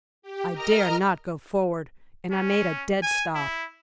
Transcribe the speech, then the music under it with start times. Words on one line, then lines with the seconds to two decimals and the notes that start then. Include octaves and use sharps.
I dare not go forward, and I made a dead stop.
0.22 G4
0.53 A#4 D#5 A#5 F6
2.31 C#4
3.03 G#5
3.35 E4